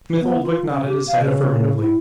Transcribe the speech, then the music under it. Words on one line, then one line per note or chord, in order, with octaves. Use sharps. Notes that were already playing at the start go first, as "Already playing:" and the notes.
Smith-Oldwick nodded his head affirmatively.
B3
F4
C#4
G4
F5
C#3
E4